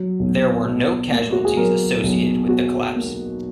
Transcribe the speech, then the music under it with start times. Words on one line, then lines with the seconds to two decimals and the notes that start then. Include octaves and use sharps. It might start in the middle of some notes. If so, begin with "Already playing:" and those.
There were no casualties associated with the collapse.
Already playing: F#3
0.19 B1
0.65 B2
1.11 A#3
1.32 F#4
1.45 G#4
1.57 F#3 A#4
2.03 B1
2.49 B2 F#4
2.96 A#3